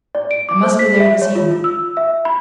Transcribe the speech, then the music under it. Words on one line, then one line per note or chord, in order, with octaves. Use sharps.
"I must be there this evening."
D5
D7
D6
C5
B6
E5
C#5
F4
F4
E6
E5
B5